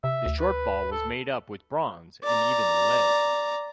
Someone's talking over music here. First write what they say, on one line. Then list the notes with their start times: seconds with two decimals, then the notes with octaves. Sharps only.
The shortfall was made up with bronze and even lead.
0.04 C3 E5
0.26 D2
0.40 B4
0.92 A4
2.24 D5 A#5